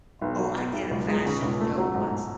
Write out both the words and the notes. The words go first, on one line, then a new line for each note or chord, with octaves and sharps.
Oh, I did a fashion show once!
B1
F#3
B2
B1
C#2
G#3
C#3
C#2
A3
F#3
G#2